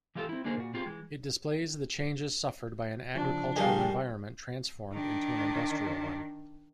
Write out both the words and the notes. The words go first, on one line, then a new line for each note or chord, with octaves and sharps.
It displays the changes suffered by an agricultural environment transformed into and industrial one.
E3 G#3 F4 G4 A4
C4 E4
D3 A#3 D#4 G#4 A#4 C5
A#2 F#4
C4 F4 G4 G#4
E3 G#3
C#3 F3 D4 F4
D#3 G3 G#4 F5
D#3 D4